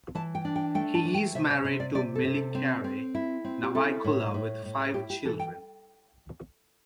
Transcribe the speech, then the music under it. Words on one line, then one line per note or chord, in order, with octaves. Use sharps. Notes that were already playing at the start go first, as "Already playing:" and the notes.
He is married to Miliakere Nawaikula with five children.
E3 A5
G5
D4
G5
A3 G5
A5
E3
G5
C3 E5
D5
C3 C5
D5
C3 D5
A4
C3
A4
C4
C4
E4
C4
G4
E4 A4
A2
A2
A2
E4 G4
G4
E3 A4
G5